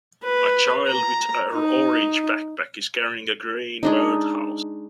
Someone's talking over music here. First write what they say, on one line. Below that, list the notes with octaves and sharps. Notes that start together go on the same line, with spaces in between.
A child with a orange backpack is carrying a green bird house.
B4
A#5
D#4
G#3 D4 D#4